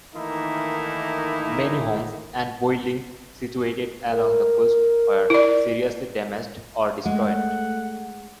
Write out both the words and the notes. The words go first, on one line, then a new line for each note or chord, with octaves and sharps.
Many homes and buildings situated along the coast were seriously damaged or destroyed.
D#3 E3 A3 A#3 D#4 E4
A#4
E4 D5
G#3 A3 F#5